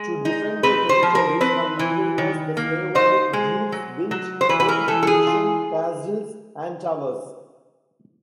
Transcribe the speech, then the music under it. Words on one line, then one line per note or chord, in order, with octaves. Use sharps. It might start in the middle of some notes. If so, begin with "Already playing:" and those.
To defend their territories from invaders the Slavonic dukes built fortification castles and towers.
Already playing: G#3
D#4
C4 B4
C5
F3
A#4
C4 B4
E3
D#3
A#3
D#4 C5
G#3
F#3
F#3
C5
E3 B4
B4
A#4
E3 A4
A4
G#4
F4